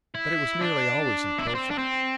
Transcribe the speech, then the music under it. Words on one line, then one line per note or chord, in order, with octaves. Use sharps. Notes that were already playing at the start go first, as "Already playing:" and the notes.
But it was nearly always in profile.
E4
D4
E4
D4
C4
D4
C4